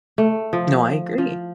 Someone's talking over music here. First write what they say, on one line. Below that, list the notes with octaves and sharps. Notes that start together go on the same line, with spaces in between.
No, I agree.
A3
F3
F3